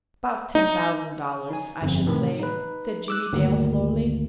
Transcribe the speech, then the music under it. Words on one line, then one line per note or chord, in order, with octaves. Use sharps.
"About ten thousand dollars, I should say," said Jimmie Dale slowly.
D#4
D#4 G#5
G1 F2
A2 C3 D#3 E3
D#4 B4
D6 E6 F#6
G1 D2 D#3 A#3